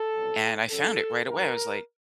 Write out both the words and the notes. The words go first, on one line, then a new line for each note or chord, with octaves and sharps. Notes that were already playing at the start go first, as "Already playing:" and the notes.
and I found it right away. I was like,
Already playing: A4
C2 B2 F#3
F#2 C#3 F#3 A4
G2 E3 A#4